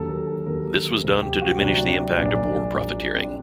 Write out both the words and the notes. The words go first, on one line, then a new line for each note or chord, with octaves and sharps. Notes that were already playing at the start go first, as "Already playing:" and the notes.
This was done to diminish the impact of war profiteering.
Already playing: D#2 D3 F#3 A4
A#4
A4
D#2 D3 F#3 A#4
D2 C3 F#3
G4
F#4
D2 C3 F#3 D4
D4
A#1 A#2 F#3 D4
A#1 A#2 F#3
C4
D4